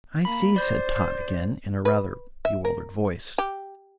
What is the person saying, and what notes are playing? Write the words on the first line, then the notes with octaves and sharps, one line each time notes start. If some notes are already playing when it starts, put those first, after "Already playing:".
"I see," said Tot again, in a rather bewildered voice.
A#3 B5
C5 D5 G6
B4
E5
A#4
G4